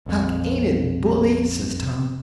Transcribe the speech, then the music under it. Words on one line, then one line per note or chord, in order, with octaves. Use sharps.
"Huck, ain't it bully!" says Tom.
A#1 F2